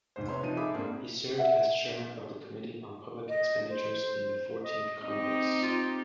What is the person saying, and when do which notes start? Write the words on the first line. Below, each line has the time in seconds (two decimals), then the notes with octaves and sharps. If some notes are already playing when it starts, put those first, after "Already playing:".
He served as Chairman of the Committee on Public Expenditures in the Fourteenth Congress.
0.16 F1 G#2 C5
0.28 C3 B4 C#5 C6
0.43 F3 D#4 D#7
0.56 D#4 G#4 A4 E5 B5 D6
0.74 G#2 A#3 C4 D4
1.38 E5 F#5
3.29 D#5
3.69 C5
4.65 D#5
5.03 C4 D#4 G4 D#5
5.63 F4